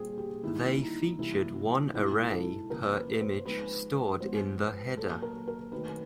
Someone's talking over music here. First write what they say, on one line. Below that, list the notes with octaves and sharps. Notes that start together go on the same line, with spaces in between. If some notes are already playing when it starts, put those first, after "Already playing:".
They featured one array per image stored in the header.
Already playing: A#2 G3 C4 G#4
G4
D#3 G3 A#3 D#4 E4
D#4
C3 E3 G3 A#3 E4
B2 G#3 C4 D#4 E4
A4
C#3 F3 A#3 A#4
B4
C5
F3 G#3 C4 D#4 B4
F3 G#3 B3 C5
B4
A#2 F#3 A#3 A4
A#4
A#4
D#3 F#3 A3 C4 D#4 B4